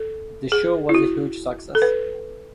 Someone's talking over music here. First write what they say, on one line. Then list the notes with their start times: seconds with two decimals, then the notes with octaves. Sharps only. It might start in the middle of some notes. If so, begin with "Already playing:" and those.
The show was a huge success.
Already playing: A4
0.52 G#4
0.89 E4
0.95 F#4
1.75 A4
1.82 B4